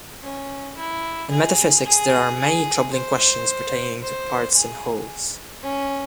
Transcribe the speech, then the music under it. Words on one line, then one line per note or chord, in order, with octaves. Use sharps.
In metaphysics there are many troubling questions pertaining to parts and wholes.
C#4
E4
G#4
G#4
G#4
C5
C5
G#4
C#4